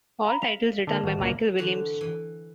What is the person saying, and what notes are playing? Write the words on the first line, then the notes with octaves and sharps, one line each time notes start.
All titles written by Michael Williams.
F5 A#5 B5
F5 B6 F7
D3 A#3 A5
G#1
C#2 A#2 A#3
D3 E3 F#4 C5
E3